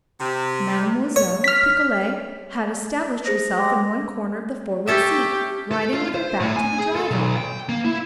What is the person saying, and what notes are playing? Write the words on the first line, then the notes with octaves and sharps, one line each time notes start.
Mademoiselle Picolet had established herself in one corner of the forward seat, riding with her back to the driver.
C3
C#5
F6 B6
G#4 C5 D#6 A#6
G#3 G4
C#4 G4 A4 E5
A4
F4
C5
A2
G#5
G#4
A4
B1
G5
A#3
E4